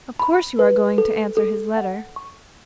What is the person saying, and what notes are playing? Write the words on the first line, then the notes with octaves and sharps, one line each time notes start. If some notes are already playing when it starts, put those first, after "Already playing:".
Of course you are going to answer his letter.
B5
B4
A4
A4
F#5
C#6